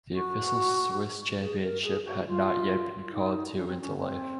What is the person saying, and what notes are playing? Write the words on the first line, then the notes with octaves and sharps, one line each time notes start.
The official Swiss championship had not yet been called to into life.
F#4
G#4
A#4
G#4
F#4
F4
F4
D#4
C#4
C4
C#4
C4